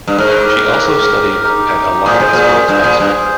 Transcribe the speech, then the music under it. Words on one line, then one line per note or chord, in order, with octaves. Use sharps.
She also studied at Alliance Girls High School.
G2
G#2 A#4
C5
G4 A#4
D#4 G4
A#2 G#4 C5
G#2
A#2
G2
A#2
G2